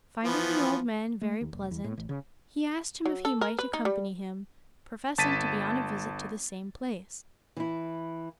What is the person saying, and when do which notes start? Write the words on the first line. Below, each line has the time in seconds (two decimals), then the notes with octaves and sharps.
Finding the old man very pleasant, he asked him if he might accompany him, professing to be on a visit to the same place.
0.24 E3 F3 B3
1.22 A3
1.41 D#2
1.53 F1
1.71 E2
1.84 A2
1.98 A1
2.09 C#3
3.06 F#3
3.25 A4
3.41 A#4
3.59 B4
3.73 D#4
3.85 G3
5.18 G1 A5 A6 B6 D#7
7.56 E3 E4